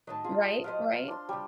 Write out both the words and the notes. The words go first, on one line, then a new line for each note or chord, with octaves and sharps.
Right, right.
A2 D#3 F#3 D#5 A5
F4 G#4
F#3 G4 C5 D#5 F5
D4 C6
C#3 G3 C#5